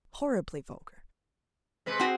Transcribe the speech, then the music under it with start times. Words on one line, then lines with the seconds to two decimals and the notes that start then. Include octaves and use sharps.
Horribly vulgar!
1.86 C3 G#3 B4
2.00 C4 F#4 G#4